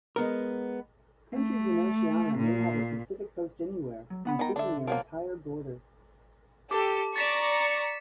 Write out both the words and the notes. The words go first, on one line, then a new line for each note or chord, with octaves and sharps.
Countries in Oceania may have a Pacific coast anywhere, including their entire border.
G#3 B3 A#4
A3
A#2
F#3
B3 F#5 B5
D#3 A#5
D3 D4 E5
F3 F#3 A#3 A#4
G4 A4 D6
D5 A#5 C#6 A6 B6 E7
C#7